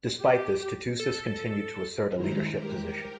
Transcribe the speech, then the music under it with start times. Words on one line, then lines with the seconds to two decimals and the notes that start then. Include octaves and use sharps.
Despite this Tootoosis continued to assert a leadership position.
0.21 G4
1.00 A4
2.15 G2 D#3 G#3 E4 C5 A#5
2.53 G4 A#4 G5